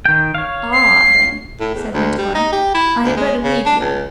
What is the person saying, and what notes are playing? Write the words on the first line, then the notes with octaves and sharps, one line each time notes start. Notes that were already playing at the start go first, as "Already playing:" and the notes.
"Ah, then," said Winterbourne, "I had better leave you."
D#3 G5
C#5 F5
C7
A2
E2
D2
G3
D#4
G4
E4
D2
G#3
C#3
D4
C#2